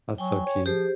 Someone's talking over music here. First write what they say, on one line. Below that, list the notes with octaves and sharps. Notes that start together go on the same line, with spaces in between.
That's so cute.
F#3 G5 G#5 C#6
C#5
F3 G4 G#4 C5